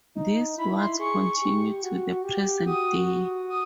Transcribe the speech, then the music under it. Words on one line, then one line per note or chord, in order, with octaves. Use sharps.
These wards continue to the present day.
D#4
E4 B5
C6
G#4 C#6
G4
F#4
G4
F#4 D#6
D#6